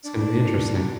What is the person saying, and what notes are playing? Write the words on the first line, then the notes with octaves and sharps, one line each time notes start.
It's gonna be interesting.
D4